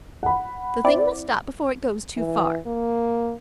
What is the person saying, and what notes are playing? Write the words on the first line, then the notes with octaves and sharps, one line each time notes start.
The thing must stop before it goes too far.'
F#5 B5
C4 E4 D5
E3
A#3